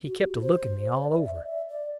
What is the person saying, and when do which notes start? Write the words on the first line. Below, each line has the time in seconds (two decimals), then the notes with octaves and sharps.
He kept a-looking me all over.
0.06 F#4
0.18 G4
0.29 F#4
0.41 C5
0.93 C5
1.00 D5
1.11 E5
1.23 E5
1.34 D5
1.46 E5
1.69 D5